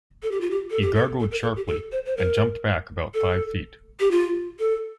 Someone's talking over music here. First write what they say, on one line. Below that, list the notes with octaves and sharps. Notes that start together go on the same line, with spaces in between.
He gargled sharply, and jumped back about five feet.
A4
G4
F4
G4
A4
G4
A4
A4
A#4
A4
G4
A4
C5
C5
A#4
A4
G4
F4
A4